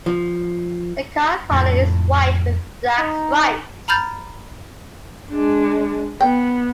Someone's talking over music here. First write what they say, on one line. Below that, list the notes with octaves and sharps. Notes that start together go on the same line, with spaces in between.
The car colour is white with black stripes.
F3
F2 A2
D#4
A#5 B5 F6 G6 A6
G#3 D4
B3 G5